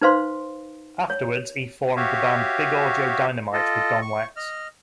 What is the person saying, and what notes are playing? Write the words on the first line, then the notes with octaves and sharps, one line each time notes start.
Afterwards, he formed the band Big Audio Dynamite with Don Letts.
D#4 B4 C5 F5 C6
C#5
F#4 G4 C#5 E5 F5
F4 A4 D#5
C#6
D#5 F6